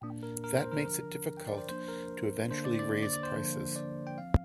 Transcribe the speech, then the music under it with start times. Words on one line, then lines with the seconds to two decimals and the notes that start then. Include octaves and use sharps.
That makes it difficult to eventually raise prices.
0.02 A#2 A#3 D4
0.23 A#4
0.44 A#4
0.57 C5
0.72 A#4
0.85 D3 F3 D4 A#4
1.37 G5
1.47 D5
1.58 C5
1.69 F3 A#3 D4 C5
1.88 A#4
2.51 D3 A#3 D4 C5
2.65 D5
2.79 D5
3.03 D5
3.13 D5
3.23 C5
3.35 D3 F3 A#3 D4
3.76 D5
4.07 G5
4.17 F3 C4 F5